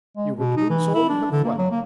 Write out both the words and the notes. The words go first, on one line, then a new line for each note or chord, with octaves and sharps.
You would lose all you have won.
G#3
B2
D#4
E3
E4
D4
D3
A#3
F#3
A#3